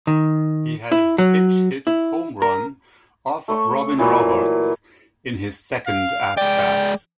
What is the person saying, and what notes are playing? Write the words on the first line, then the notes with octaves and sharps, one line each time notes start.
He had a pinch-hit home run off Robin Roberts in his second at bat.
D#3
E4
F#3
E4
A#4
A3 C#5 C#6
A#2 E3 F#3 A#4
F5
G#3 D5 G5